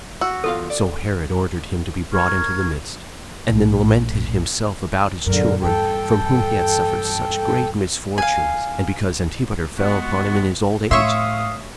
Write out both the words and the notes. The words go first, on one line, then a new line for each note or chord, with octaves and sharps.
So Herod ordered him to be brought into the midst, and then lamented himself about his children, from whom he had suffered such great misfortunes; and because Antipater fell upon him in his old age.
F#4 E6
E2 F4 A4 F5
D5
A#4 C#6 F6 G#6
A#1 A2
F#2 A#2 D3 A#4
E2 G2 A4 G5
F5 G#5
G#3 B3 F#4
A2 C#5 E5 F5 C6 C#6 D#6 E6